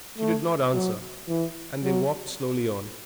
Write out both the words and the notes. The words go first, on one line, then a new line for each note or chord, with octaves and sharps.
She did not answer, and they walked slowly on.
A3
F#3
E3
F#3